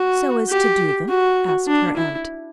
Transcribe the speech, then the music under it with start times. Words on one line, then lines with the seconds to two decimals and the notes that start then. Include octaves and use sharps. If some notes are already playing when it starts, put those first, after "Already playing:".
"So as to do them?" asked her aunt.
Already playing: F#4
0.50 G4
1.08 F#4
1.67 D4
1.96 E4